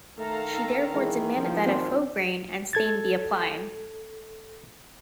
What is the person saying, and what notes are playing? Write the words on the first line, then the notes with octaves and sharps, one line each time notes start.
She therefore demanded that a faux grain and stain be applied.
D#3 A3 A4 F5 A#5
D#4
E3 G#3
C2 F3
G#1 C4
A4 G#6 A6